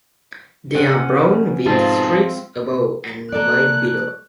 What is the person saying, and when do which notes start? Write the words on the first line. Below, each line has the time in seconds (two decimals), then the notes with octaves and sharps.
They are brown with streaks above and white below.
0.74 C4 C#4 G#4 F#5
1.66 G#2 B2 F3 C4 E4 F4 G#4 A4
3.32 A#3 A4 D5 F#6